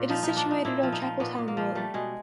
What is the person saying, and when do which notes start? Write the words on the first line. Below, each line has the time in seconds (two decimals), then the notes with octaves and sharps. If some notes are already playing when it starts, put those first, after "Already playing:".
It is situated on Chapeltown Road.
Already playing: A#2
0.09 F3 D#4
0.23 D#4
0.28 F3
0.37 D4
0.46 A#2 D#4
0.65 A#2 E4
0.83 F3
0.92 D#4
1.02 F3
1.20 A#2 B3
1.38 A#2
1.48 A#3
1.57 F3
1.75 G3 A3
1.94 B2 G#3